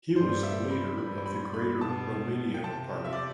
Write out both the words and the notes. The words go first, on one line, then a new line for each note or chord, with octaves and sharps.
He was the leader of the Greater Romania Party.
G2 C5
E5
B5
G2 B5
B5
B5
B2 A5
G5
C3 A5
E5
D5